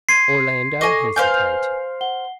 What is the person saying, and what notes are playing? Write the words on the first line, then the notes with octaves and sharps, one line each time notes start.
Orlando hesitated.
C6 G#6 C7 D#7
A4 D#5 G#5 C#6 D6
B4 C5 F5 G#5 G6
F#5 G7